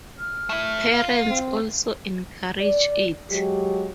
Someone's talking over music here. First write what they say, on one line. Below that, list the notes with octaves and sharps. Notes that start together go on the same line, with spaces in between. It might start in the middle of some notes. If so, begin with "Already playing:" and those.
Parents also encourage it.
F6
A3 E4
F4
C4
D5
F#3 G#3 G4